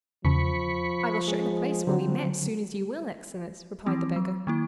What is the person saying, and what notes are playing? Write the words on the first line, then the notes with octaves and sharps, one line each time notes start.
"I will show the place where we met soon as you will, excellence," replied the beggar.
E2 C#3 F3 B5 C#6
G#3
D3 F#3 C4
E3 F3 C4 E4
F#3
D#3 A#3 E4